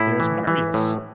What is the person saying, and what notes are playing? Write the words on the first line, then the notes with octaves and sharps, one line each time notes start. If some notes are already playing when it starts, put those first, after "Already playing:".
"There's Marius."
Already playing: A2 E4
E3
E3
A2